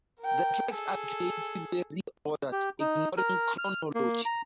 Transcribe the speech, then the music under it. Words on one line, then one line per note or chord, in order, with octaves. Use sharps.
The tracks are creatively re-ordered, ignoring chronology.
A#4 G5
G#4 A4
G4
D#4
A#4
F6
A#3
A#5